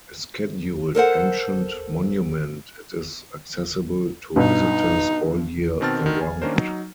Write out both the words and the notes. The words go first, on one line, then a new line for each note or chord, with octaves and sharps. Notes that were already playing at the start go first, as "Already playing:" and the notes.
A Scheduled Ancient Monument, it is accessible to visitors all year around.
A4 A#4 C5 F#5
G2 B2 D#4
B2 D#3 C4 A5 F6 A6
D3 D#3
G#5
D#3 A#3 C#4 D4 A#4 C5
F#3 D#4